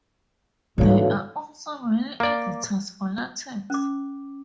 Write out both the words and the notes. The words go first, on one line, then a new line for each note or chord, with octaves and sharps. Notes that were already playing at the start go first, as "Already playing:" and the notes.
There are also many editors for LaTeX.
G#2 D3 E3 A#3 F#4 C#5 F5
A#3 D5
C#4 D6